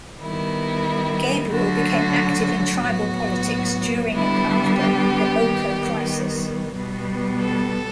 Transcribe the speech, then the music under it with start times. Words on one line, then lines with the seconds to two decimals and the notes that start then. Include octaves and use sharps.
Gabriel became active in tribal politics during and after the Oka crisis.
0.21 D#3 G3 B3 E4
1.51 D3 F#3 A3 F#4
2.82 A2 F#3 B3 F#4
4.13 D3 G3 B3 E4
4.78 G4
5.44 D#3 G3 B3
6.75 B2 G3 B3
7.40 A4